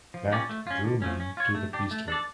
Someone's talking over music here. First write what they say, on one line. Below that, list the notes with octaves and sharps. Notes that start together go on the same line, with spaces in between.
That drew me to the priest-hood.
F3
A#3 C#4 G4 D5
A3
C#4 F4
D3
F3 A3 C#4
C#4
F4 C#5
A3
D4 G4
A3
D4 A4 D5